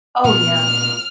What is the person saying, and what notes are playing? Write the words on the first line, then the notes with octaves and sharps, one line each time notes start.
Oh, yeah.
A#2 B3 F6